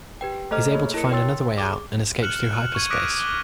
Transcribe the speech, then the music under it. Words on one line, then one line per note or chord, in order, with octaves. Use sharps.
He is able to find another way out and escapes through hyperspace.
G4 B4 G5
A3 A4 C5 D#5 A#5 F6
A#3 G#4 C#5 D#5
E4 A#4 C#7
C#5 G5 C6 E6 A6
G#4 D6
F6 F#6 C#7 E7 F#7
F6
C#6 G#6 D#7
D6 D#6 F#6 A#6 B6 D7
G7